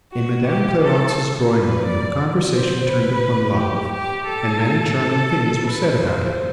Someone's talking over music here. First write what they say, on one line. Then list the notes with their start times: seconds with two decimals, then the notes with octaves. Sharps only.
In Madame Clarence's drawing-room the conversation turned upon love, and many charming things were said about it.
0.11 F#4
0.46 G4
0.80 A4
1.49 B4
1.84 D5
2.53 C5
2.88 B4
3.56 G4
3.92 G4
4.26 A4
4.95 A4
5.64 B4
5.98 C5